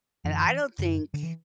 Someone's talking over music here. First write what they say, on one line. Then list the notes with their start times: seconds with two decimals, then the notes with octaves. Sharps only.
and I don't think
0.25 F#2 D3 E3
0.79 F#2 D3
1.14 D3
1.23 E3